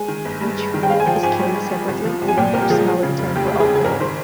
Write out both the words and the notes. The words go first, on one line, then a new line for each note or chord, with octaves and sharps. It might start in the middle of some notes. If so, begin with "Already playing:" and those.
Each fuel is carried separately, with a much smaller tank for alcohol.
Already playing: G#3 G#5
D#3
G1
G2
G#3
D#3
G5
G#3 F5
G#5
F3 G5
G#1 G#5
G2
G#3
F3
C2
F3
C2
G#5
A#2 G5
C2 A#4
G4
F3 G#4
G#3
C#3
F1
D#2 G4
G#3
G#4
C#3
G#4
G#1 A#4
D#3 C5